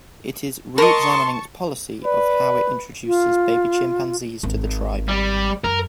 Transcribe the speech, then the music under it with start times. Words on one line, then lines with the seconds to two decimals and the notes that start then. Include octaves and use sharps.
It is reexamining its policy of how it introduces baby chimpanzees to the tribe.
0.78 A#4 D#5 A5 C6 C#6
2.05 B4 D5
3.07 F4
4.43 G#1
5.08 G3
5.64 F#2 A#4